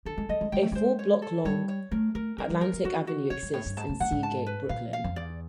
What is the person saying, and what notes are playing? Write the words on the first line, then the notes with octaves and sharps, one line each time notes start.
A four-block-long Atlantic Avenue exists in Sea Gate, Brooklyn.
D3 A4
G#3
G#3 D#5
G#3
G#3 G5
A3
G#3 C5
C#5
A4
G3 C#5
C#5
A3 A#4
A3 A#4
G#3 A#4
G3
F3 A#4
E3
D#3 F#4
F#4
C3 C#5
G#2
A2 C#5
G2
G#2 A5
A2
A2 F#5
G#2
A5
B4
A#2 F5
F5
F2
E2 D5